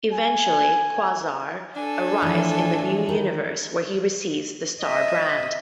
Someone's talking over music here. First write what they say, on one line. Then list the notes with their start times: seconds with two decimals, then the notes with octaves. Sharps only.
Eventually, Quasar arrives in the New Universe, where he receives the Star Brand.
0.11 G#5
1.76 D4 A4 G#5
2.22 A2 E3 F3
3.09 D#3
4.82 D#5 E5